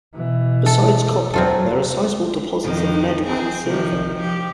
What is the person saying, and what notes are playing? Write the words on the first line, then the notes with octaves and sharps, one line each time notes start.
Besides copper, there are sizeable deposits of lead and silver.
B2 E3
A4
F#3 C4 F4 A4
F2 D#3
C4 G#4
C3 D#3 F3
F3 G4